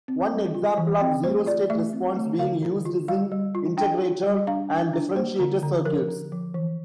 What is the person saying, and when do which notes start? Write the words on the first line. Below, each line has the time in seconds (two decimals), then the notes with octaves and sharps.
One example of zero state response being used is in integrator and differentiator circuits.
0.08 C4
0.32 G3
0.55 F4
0.78 E3
1.00 C4 G5
1.24 A3 C5
1.46 F4 D5
1.70 A3 E5
1.93 C4
2.16 A3
2.39 D3 F5
2.63 D3
2.85 F4
3.08 G3 F5
3.32 G3
3.55 F4
3.77 D4 G5
4.01 F4
4.24 G3
4.47 D4 F5
4.70 D4
4.93 D4
5.16 A#3 C5
5.40 D3
5.62 D3
5.85 F3 A#4
6.08 D3
6.32 F3
6.54 E3